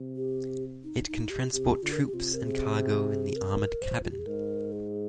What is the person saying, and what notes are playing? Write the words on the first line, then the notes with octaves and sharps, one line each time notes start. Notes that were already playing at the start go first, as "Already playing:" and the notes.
It can transport troops and cargo in the armored cabin.
Already playing: C3
G4
D#4
D#4
G4
C3 G4
D3 F4
A#4
G#4
G4
C3 F4
A#4
G#4
A#4
C5
F4
G4
G#4
G#2 A#4
G#4